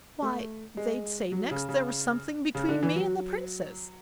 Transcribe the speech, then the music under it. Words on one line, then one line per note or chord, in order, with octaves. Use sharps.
'Why they'd say next there was something between me and the Princess.'
A3
G#3
F#3
C#3
C#3
C#3
D3
E3
F#3